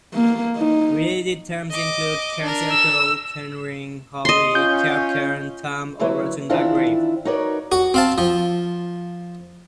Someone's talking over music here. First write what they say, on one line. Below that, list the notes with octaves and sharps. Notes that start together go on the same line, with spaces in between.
Related terms include "cairn circle", "cairn ring", "howe", "kerb cairn", "tump" or "rotunda grave".
A#3
D#4
D#5 D6
D4 A#4
E6
D#5 C6
C#4 F4 G6
D3 F#3 A#3 E4 B4 C#5
D#3 E3 C4 D4 E4 F4
D#4 F#4 A#4 B4 C#5 D5
F#4
C4 F5 A5
F3